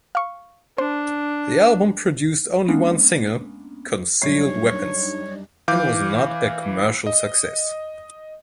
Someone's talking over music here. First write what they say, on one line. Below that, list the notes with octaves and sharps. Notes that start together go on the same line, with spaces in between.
The album produced only one single, "Concealed Weapons", and was not a commercial success.
F5 C#6
D4 C5
G#3 A#3 B3 C#4 D4
F#2 G3 D4 D#4 C#5 C7
E3 F5 D6 G6
D#5